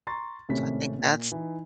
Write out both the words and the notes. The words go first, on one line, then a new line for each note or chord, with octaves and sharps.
So, I think that's,
A#5 C6 C#6 A6
G#1 A2 C3 C#4 B6
A#2
E3 D#4